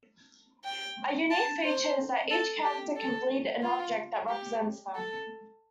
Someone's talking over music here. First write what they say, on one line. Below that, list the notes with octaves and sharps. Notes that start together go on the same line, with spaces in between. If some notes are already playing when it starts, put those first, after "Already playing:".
A unique feature is that each character can "bleed" an object that represents them.
G5
A5
C5
A4
G4
A4
F4
G4
A4